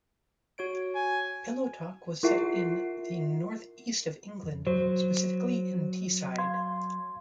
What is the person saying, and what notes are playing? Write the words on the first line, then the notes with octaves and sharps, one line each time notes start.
"Pillow Talk" was set in the North East of England, specifically in Teesside.
F#4 C#5 D7
G#5
E4 F4 A#4 E5 F#5 C7
F2
F#3 C5
F5 C6 G#6